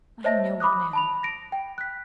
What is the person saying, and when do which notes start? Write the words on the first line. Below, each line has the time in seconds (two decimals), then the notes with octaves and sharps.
I know it now.
0.24 C5 C#5 D#5 E5 A5 A#6
0.60 B5 D6 D#6 F#6
0.93 A5 B5 F7
1.23 A#6 D7
1.52 G5
1.78 F#6 B6